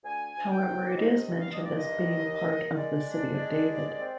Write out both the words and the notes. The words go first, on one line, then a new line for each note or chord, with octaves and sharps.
However it is mentioned as being part of the City of David.
D2 G#5
D2
G5
C3
D5
G2 D#5
G2
F5
G2 D#5
D5
D#5
D#3
D#2
D#3
G#3 D5
D4
G#3
D#2
C4